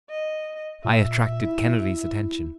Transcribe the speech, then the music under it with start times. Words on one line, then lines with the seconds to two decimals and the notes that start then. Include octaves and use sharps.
I attracted Kennedy's attention.
0.10 D#5
0.85 A#2 E5
1.44 E4